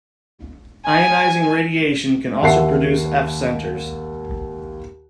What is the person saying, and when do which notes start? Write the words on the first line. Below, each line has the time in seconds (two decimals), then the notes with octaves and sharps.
Ionizing radiation can also produce F-centers.
0.86 G#5
2.42 D#2 E5 F#5 A5 C7